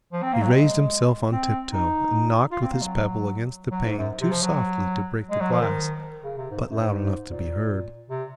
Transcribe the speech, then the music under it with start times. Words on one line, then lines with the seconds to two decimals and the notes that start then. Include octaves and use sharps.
He raised himself on tiptoe, and knocked with his pebble against the pane too softly to break the glass, but loud enough to be heard.
0.12 F3
0.22 C4
0.32 A#3
0.42 F#3
0.52 G#3
1.32 C4
1.72 D#4
2.52 F4
2.62 C4
2.72 A#3
2.82 F#3
3.71 F#3
3.85 G#2
3.98 F#2
4.21 C3
4.31 F3
4.42 F#3
5.31 G#3
5.41 F#3
5.51 F3
5.61 D#3
6.24 C#3
6.37 C3
6.50 G#2
6.71 F#2
6.81 G#2
7.30 A#2
8.10 C3